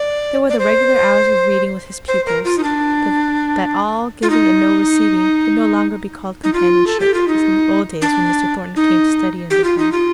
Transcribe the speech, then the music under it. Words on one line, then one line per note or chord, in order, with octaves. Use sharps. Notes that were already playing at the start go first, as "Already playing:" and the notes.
There were the regular hours of reading with his pupils, but that all giving and no receiving could no longer be called companion-ship, as in the old days when Mr. Thornton came to study under him.
Already playing: D5
D5
C5
C5
A#4
F4
D#4
D4
F4
D#4
D#4
F4
A4
G4
F4
D#4
D4
D#4
G4
F4
D#4
F4